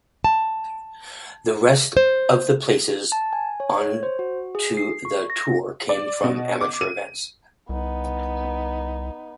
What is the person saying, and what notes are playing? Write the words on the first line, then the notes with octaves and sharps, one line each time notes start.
The rest of the places on to the tour came from amateur events.
A5
C5
A5
G#5
C#5
C#5
C5
F#4
G#4
C7
C#6
A#6
D5
B2
D6
D#7
C2 B3 D#4